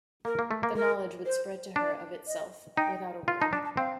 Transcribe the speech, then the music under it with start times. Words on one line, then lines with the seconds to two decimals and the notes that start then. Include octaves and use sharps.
The knowledge would spread to her of itself, without a word.
0.25 A#3 A#4
0.39 A#3
0.51 A3
0.63 A#3
0.76 A#4
1.26 C5
1.76 D4 D5
2.27 D#5
2.77 D#4 G5
3.28 F4
3.40 D#4 A5
3.53 D4 A5
3.64 A5
3.77 C4 F5